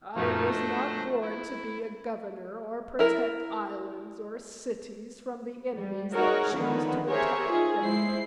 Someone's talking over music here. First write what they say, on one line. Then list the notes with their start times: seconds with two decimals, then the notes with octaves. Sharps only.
I was not born to be a governor or protect islands or cities from the enemies that choose to attack them.
0.16 F#2 A#2 F3 A3 D#4 F#4 A#4
0.51 D4 C5 D#5
1.22 E4
2.99 E4 A#4
5.75 G3
6.14 D#4 F#4 G#4 A#4 C#5
6.54 D3 D#3 F3 A#3 B3
7.08 G4 G#4 A#4 C5 C#5 E5
7.50 D#4 F4 G#4
7.81 G#3 E4 C5 C7